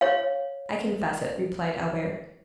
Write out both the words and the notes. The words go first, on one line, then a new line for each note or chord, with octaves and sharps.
"I confess it," replied Albert.
C#5 F5